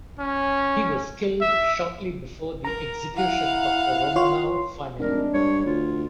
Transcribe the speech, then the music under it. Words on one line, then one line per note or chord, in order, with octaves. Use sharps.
He was killed shortly before the Execution of the Romanov family.
C#4
E5
A#4 A#5
E4 F5 F#5
F4 C#5 C6
F1 G#3 D4 A#4
G2 C#5
D2 F4